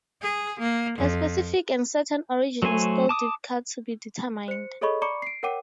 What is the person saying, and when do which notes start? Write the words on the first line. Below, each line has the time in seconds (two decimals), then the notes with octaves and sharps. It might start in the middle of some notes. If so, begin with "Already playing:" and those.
A specific and certain origin is still difficult to be determined.
0.21 G#4
0.59 A#3
0.98 F2
2.62 F#3 A3 C5 G#5
3.09 A5 D6 D#6
4.48 C5 C#7
4.81 G#4 A4 C#5 D#5 B5 C#6
5.02 D5 A#5 B5 C#6 D6 C#7
5.22 C7 D7
5.43 A#4 C#5 F#5 G5 D6 D#7